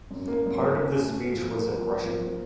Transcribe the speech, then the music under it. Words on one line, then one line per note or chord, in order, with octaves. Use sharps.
Part of the speech was in Russian.
F#2
A#3
F#2
F#2
C#4
A3
A3
F3
A#3
F3
A#3
F3
A#3